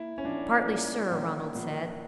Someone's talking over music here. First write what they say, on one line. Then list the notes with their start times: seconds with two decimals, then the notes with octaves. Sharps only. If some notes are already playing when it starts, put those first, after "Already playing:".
"Partly, sir," Ronald said.
Already playing: A#3 E4
0.18 C#4
0.24 A#1 D4
0.68 A#2
1.11 A#1
1.55 A#1